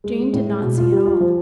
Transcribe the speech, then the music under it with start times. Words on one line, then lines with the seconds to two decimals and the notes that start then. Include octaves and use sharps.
Jane did not see at all.
0.04 G#3
0.19 G#3
0.33 A2
0.48 G#3
0.62 B2
0.78 F4
0.92 G3
1.06 F4
1.20 F3